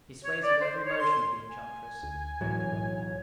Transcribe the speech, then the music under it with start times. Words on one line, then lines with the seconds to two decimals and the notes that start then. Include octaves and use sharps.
He sways with every motion of the enchantress.
0.22 C#5
0.41 D5
0.60 C5
0.85 C#5
0.98 C6
1.51 G#5
2.03 D2
2.41 B1 A2 E3 F#3 C#5
2.73 A2